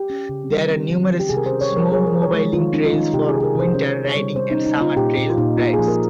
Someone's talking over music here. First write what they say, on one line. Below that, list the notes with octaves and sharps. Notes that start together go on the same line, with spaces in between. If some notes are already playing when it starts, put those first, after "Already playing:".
There are numerous snowmobiling trails for winter riding and summer trail rides.
Already playing: G4
C#4
C#3
G3
C4
D#3
C4
G4
C3 G#4
A#4
C5
C#4
C#5
G3 A#4
F3 G#4
A#4
F3
C#5
G#3
D#3 F4
C#4 D#4
F4
D#3 D#4
C3 G4
G#4
C3
G#4
A#4
C3
C5
C#4 C#5
C#4
C#5
G3
C3 C5
D#4
C#4
D#4
A#3 F4
A#2 G4
A#2
F4
A#2 D#4
A#3 F4
G#4
F3
A#4